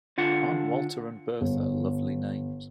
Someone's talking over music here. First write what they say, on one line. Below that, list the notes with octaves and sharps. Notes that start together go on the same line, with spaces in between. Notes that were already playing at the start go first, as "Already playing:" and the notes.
Aren’t Walter and Bertha lovely names?
D3 F4 F#5
G1